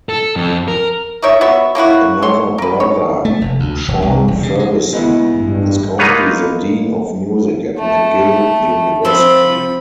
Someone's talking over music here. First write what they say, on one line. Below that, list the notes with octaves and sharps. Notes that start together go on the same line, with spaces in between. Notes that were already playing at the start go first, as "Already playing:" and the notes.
Another brother, Sean Ferguson, is currently the dean of music at McGill University.
A4
F2
A#4
D#4 A#4 C#5 E5
B3 F#4 C#5 E5
A#3 C#4 E4 F#4
C#5 C6
A#4 B4
C#5
A3
F1
D2
E1
C2
E1
C#3
G#3
C#3 G#3 B3 D#4 E4
A1 G2
A#3 D#4 F4 B4 C#5 F#5
A3 A5
F3 C4 B5